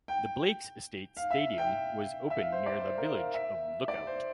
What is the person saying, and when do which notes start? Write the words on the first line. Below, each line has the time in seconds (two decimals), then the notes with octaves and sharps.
The Blakes Estate Stadium was opened near the village of Look Out.
0.08 G5
1.17 F5
1.31 E5
1.58 G5
2.30 E5
2.38 F5
2.52 C5
2.66 D5
2.80 C5
2.98 A#4
3.16 F5
3.34 E5
3.88 D5
4.07 C5